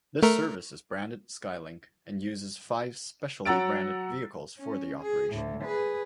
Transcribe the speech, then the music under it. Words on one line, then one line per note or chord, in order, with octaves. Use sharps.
This service is branded 'Skylink' and uses five specially branded vehicles for the operation.
A3 A#4
F#3 F#5 A#5 E6 A6 D7
C#4
G#4
D2 A2
G#4 B4